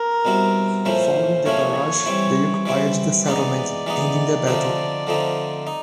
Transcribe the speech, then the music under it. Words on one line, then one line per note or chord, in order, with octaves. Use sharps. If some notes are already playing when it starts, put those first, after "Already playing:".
Following the barrage, they occupied the settlement, ending the battle.
Already playing: A#4
B2 G3 C4 E4
A#2 F3 A3 C#4 E4 C5
A#2 F3 A3 C#4 E4 C#5
E3 G3 C4 E4
E3 G3 C4 E4
E3 G#3 B3 D#4 D5
E3 G#3 B3 D#4
D3 F3 A3 C4 D#4
D3 F3 A3 C4 D#4
D#4